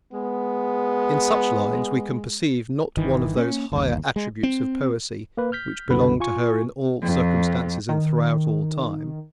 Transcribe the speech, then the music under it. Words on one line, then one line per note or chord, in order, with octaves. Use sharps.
In such lines we can perceive not one of those higher attributes of Poesy which belong to her in all circumstances and throughout all time.
G#3 B3
G1 D#3 E3
A#3 C#4
G1 D#2
G#3
C4
A#3 B4
F6 G6 B6
C2 F#2 D3 B3 B4 B5
F4 G#5 C#6
F2
D#3